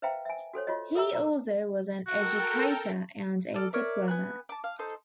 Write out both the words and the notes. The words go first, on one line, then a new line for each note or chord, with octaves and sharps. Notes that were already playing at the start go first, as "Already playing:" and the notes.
He also was an educator and a diplomat.
B4 C5 E5 F5 G5 A#5
E5 G#5
F#4 A4 C5 C#5
F4 F#4 C#5 D#5
A4 A#4 E5 A#5 E6
A#4 A#5
F#4 A4 A#4 G5
A4 D5 E6 F6
A#4 C#5 D5 E5
B3 G#5 F#6
A5 D6
F5
D#4 A4 C5